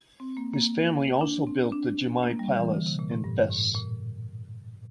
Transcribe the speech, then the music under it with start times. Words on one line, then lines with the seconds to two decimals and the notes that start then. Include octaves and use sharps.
His family also built the Jamai Palace in Fes.
0.20 C4
0.37 A#3
0.53 A#3
1.21 D4
1.47 C4
1.72 D4
2.23 A#3
2.39 G3
2.57 E3
2.74 D3
2.86 C3
2.99 A#2
3.12 A2
3.24 G2
3.50 A2
3.75 A#2